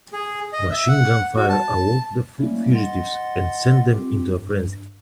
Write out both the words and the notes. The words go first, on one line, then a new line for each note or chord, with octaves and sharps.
Machine gun fire awoke the fugitives and sent them into a frenzy.
G#4
D#5
E5
F#5
F#4
A5
F#3 G3 A3 A#3 C#4 E4
D#5 F#5 C6 A6
C4 F4 G4
G2